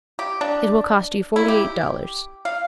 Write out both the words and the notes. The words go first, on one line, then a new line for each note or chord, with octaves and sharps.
It will cost you forty-eight dollars.
G4
D4
E4
G4
F5